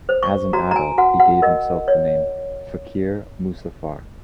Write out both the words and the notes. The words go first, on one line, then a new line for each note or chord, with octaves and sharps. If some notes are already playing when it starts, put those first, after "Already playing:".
As an adult he gave himself the name "Fakir Musafar".
C5
C#6
F#4 A#5
A#5
G#5
F#4 F#5
F#5
A#4 D#5
C#5